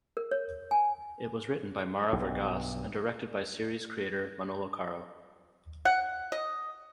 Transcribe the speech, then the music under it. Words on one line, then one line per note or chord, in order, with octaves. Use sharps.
It was written by Mara Vargas and directed by series creator Manolo Caro.
A#4
C#5
G#5
B1 G2
F#5
D#5